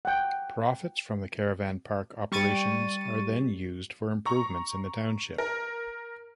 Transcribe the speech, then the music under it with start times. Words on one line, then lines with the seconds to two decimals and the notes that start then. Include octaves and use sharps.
Profits from the caravan park operations are then used for improvements in the township.
0.05 F#5 G5
2.32 G3 C#6 A6 D#7
4.26 A#5 C#6
5.38 A#4